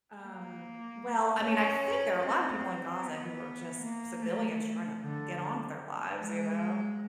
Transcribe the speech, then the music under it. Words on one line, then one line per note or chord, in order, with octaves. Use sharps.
Um, well, I mean, I think there are a lot of people in Gaza who are just civilians trying to get on with their lives, you know?
A#3
C#4
C4
B3
A#3
A3
D3
G#3